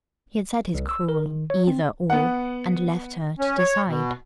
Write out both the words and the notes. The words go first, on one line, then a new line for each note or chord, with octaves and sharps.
He had said his cruel "Either--or--" and left her to decide.
C2
E6
A#4
D#3
C#5
C4
B3 F#5
C#4
C#5
B2